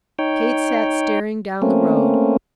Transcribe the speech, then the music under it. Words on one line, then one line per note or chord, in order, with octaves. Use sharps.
Kate sat staring down the road.
D#4 C#5 G5
A3 A#3 C4 C#4